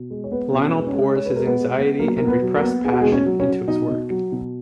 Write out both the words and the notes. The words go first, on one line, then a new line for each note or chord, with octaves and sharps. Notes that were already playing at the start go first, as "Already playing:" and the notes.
Lionel pours his anxiety and repressed passion into his work.
Already playing: B2
G#3
C#5
B3 B4
B2
C#4 C#5
G#3
B4
C#4 C#5
G#3
G#3 C#5
B4
G#3 A#4
B3 B4
G#3
B3
F#3 A#3 A#4
B2 A#4
B3 B4
F#3
A#3 A#4
B3
B3 G#4
F#4
G#3 G#4
B2
C#4 C#5
F#3
C#4 C#5
F#3
B2 D#4 D#5
B2
F#3
B2